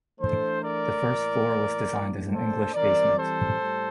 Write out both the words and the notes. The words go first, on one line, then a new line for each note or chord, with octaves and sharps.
The first floor was designed as an English basement.
E3 A3 D4 A4 C5
A#4 D5
A2 E3 A#3
A2 E3 A#3 D4
A4 C5
E3 G3 C4 A#4 D5
A4 C5
A2 G3